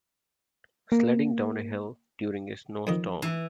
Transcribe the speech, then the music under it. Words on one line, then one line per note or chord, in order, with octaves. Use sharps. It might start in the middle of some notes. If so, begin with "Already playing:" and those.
Sledding down a hill during a snowstorm.
A#3
F2 D#3 D#5
E3